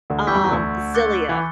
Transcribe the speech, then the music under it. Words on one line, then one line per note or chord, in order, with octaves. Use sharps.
um, Xillia.
D2 D3
E2 E3 C#6 E6 G6 B6
G2 G3
E2 E3
D2 D3
D6 F#6 A6 C#7 G7
E3